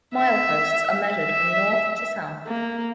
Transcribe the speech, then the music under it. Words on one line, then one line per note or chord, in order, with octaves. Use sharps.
Mileposts are measured from north to south.
E5
E5
A#3